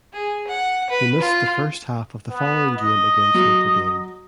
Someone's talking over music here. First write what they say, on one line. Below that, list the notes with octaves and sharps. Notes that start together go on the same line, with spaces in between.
He missed the first half of the following game against Notre Dame.
G#4
F#5
B4
F4
B3
D#5
F#3